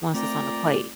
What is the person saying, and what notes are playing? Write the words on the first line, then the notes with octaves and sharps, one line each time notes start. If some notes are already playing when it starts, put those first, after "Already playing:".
once it's on the plate.
A#2 A3 C4 F4 D5 G5 A#5